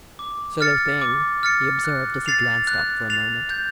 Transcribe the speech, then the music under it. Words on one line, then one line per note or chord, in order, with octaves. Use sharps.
"Silly thing!" he observed as he glanced up for a moment.
D6
F6 A6 C#7
D6
F6 A6 C#7
F#6
A6 C7 F7
F#6
A6 C7 F7
G6